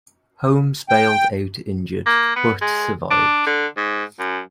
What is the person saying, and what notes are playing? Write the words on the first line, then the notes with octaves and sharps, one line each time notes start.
Holmes bailed out injured but survived.
G5
A#3
B3
G#3
D4
D3
G#2
F#2